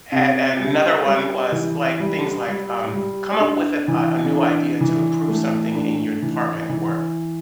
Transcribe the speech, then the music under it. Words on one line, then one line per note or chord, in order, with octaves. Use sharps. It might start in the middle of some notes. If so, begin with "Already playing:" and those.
and and another one was, like, things like, um, "Come up with a a new idea to improve something in your department at work."
C3
G3
G3
E3
G3
G3
G3
D4
E3
D4
E3
A3
D4
E3
E3